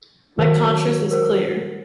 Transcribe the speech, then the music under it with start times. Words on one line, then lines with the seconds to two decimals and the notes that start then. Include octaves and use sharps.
My conscious is clear.
0.39 D#3 F#3 A#4 C5 F5
1.11 A#4 C5